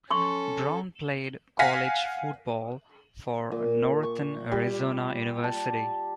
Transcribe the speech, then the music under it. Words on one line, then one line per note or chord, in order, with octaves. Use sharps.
Brown played college football for Northern Arizona University.
C#4 A4 C6 C#6
F5 F#5 G#5 A#6 B6
A#2
C#6
G3
A5